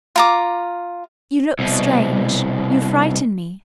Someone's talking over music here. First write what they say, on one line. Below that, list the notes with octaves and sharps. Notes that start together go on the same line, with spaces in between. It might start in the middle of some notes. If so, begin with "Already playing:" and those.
"You look strange, you frighten me."
F4 A#5 D6
C2 B2